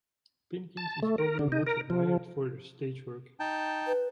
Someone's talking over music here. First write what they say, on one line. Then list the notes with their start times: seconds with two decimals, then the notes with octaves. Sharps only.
Pinkins is probably most admired for her stage work.
0.77 A5
1.03 A3
1.18 A#4
1.39 D3
1.52 D#4
1.67 A#4
1.90 F3
3.40 D#4 G5 A5
3.87 B4